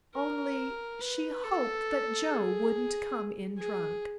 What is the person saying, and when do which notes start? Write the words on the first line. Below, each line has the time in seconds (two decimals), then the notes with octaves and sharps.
Only she hoped that Joe wouldn't come in drunk.
0.14 A#4
1.01 B4
1.44 A4
2.29 G#4
3.58 G#4